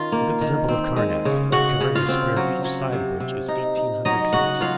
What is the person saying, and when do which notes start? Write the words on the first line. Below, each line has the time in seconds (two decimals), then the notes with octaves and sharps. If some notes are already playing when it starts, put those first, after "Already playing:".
Look at the Temple of Karnac, covering a square each side of which is eighteen hundred feet.
Already playing: D#3 C#4 F4 F5
0.12 A#3
0.41 D#3
0.69 C4
0.96 G#3
1.25 C#3
1.52 C#3 F#4 F#5
1.81 C#3
1.95 F4 F5
2.08 C4
2.37 F#3
2.64 F#3
2.93 C3
3.20 C3
3.48 D#4
3.77 D#4
4.05 F#3 D#4 D#5
4.33 C#3 F#4 F#5
4.61 F#3 F4 F5